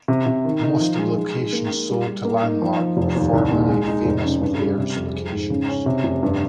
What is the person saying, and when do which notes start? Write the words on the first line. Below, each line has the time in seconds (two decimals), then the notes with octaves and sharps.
Most of the locations sold to Landmark were formerly Famous Players locations.
0.08 C3
0.26 C3
0.45 D#3
0.63 D#4
0.80 F3
0.98 G#3
1.16 G#3
1.36 D#4
1.53 A#3
1.71 A#3
1.90 G3
2.07 G3
2.25 A#3
2.43 D#4
2.62 F3
2.79 F3
2.97 F1
3.16 D#2
3.33 C2
3.51 A#2
3.69 G#3
3.88 D#4
4.05 F1
4.23 C#3
4.41 G2
4.60 G3
4.77 C3
4.96 F2
5.14 G#4
5.32 G#2
5.50 C#3
5.69 C#4
5.86 C3
6.04 F1
6.23 G2